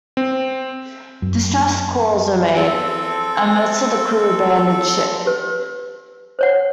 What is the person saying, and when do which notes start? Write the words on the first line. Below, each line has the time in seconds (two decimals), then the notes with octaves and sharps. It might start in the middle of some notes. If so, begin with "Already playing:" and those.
Distress calls were made, and most of the crew abandoned ship.
0.17 C4
1.22 F#2
2.56 C4 A4
5.26 G4 B4
6.39 C5 C#5 F#5